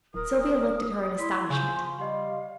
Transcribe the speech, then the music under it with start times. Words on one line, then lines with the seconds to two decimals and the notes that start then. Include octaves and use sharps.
Sylvia looked at her in astonishment.
0.14 D1 A#4 D#6
1.18 E4 C6 B6
1.50 C#3 F3 G#5 C#6 G6
1.99 G3 D#5 F5 C6